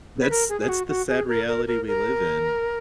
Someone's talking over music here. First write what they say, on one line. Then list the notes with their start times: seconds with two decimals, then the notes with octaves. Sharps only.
That's that's the sad reality we live in.
0.21 B4
0.30 A#4
0.49 G#4
0.61 G#4
0.69 F#4
0.89 F#4
1.09 G#4
1.28 A#4
1.48 A#4
1.67 A#4
1.87 A#4